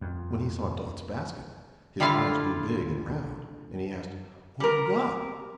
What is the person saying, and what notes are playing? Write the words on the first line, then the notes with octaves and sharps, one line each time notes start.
When he saw Dot's basket his eyes grew big and round, and he asked, "What you got?"
F2
D3 G3 E4 F4 F5
G3 A#4